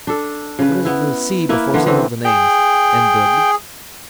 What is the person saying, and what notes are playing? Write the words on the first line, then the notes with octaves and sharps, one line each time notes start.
What is the 'C' before some of the names, and the 'B.
D4 A4
C#3 B4
B3 E4
A#3 E4 B4
D3 E3 B3
D3 E3 C4
G#4 G5